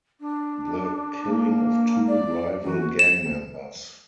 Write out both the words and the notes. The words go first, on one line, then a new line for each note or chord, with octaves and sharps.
The killing of two rival gang members.
D4
A#3
D5
E3 F#4
E7